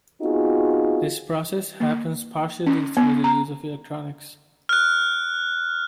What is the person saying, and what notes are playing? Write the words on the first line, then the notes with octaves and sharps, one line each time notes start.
This process happens partially through the use of electronics.
B3 C4 D#4 F4 F#4 G#4
A#3
C#4
B3
A#5
F6 F#6